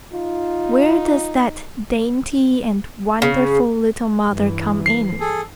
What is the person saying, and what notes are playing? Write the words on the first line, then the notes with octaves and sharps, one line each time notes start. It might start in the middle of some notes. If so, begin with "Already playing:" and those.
Where does that dainty and wonderful little mother come in?
D#4 F4
C#3
G2 E3
C7
G#4 A4